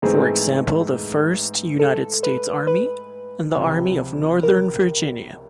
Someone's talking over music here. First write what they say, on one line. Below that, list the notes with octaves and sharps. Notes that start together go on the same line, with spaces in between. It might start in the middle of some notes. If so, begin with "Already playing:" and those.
For example, the First United States Army and the Army of Northern Virginia.
G#2 E3 A3 C4 D#4 G#4
A4
B4
B4
C#2 C3 F3
A#4